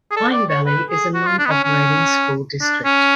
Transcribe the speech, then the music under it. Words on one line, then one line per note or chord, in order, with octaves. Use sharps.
Pine Valley is a non-operating school district.
G#4
A4
D5
C#5
B4
G#4
F#4
F4
D4
B3
C#4
C#4
D4
C#4